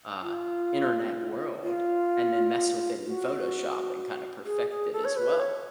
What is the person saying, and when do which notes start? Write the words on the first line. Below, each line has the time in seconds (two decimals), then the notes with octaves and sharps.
uh, internet world and then mess with it in Photoshop and kinda perfect it as well.
0.23 F4
1.64 F4
3.05 F#4
4.45 G#4
4.70 G#4
4.93 A4
5.05 C#5
5.16 B4
5.40 C#5